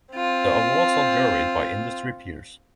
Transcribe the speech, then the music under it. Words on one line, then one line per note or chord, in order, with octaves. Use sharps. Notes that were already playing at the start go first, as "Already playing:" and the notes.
The awards are juried by industry peers.
C4 F4